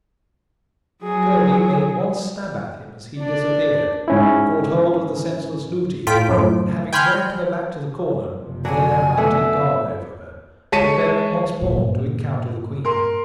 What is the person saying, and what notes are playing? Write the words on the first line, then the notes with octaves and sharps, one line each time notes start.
Curdie made one stab at him as he disappeared, caught hold of the senseless Lootie, and having dragged her back to the corner, there mounted guard over her, preparing once more to encounter the queen.
F#3 G#4
D4 D5
G#2 C#4 E4
A2 F4 G5 B6 D7
F#2 A2 F3
G5 G#5 B5 C6 F6 G6
F#1 C3 F3
F#3 D4 G#5
A3 B3 D4 E5
G#3 C#5 A5 B6 C#7 D#7
G2 A#2
A#4 C6